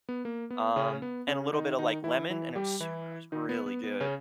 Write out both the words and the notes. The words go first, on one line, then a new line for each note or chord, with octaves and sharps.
um, and a little bit of, like, lemon, and it was super was really good.
B3
A#3
B3
C#3 C#4
B3
C#3 C#4
D#3 D#4
D#3 D#4
E3 E4
E3 E4
G3 G4
E3 E4
D#3 D#4
B3
B3
B3
C#3 C#4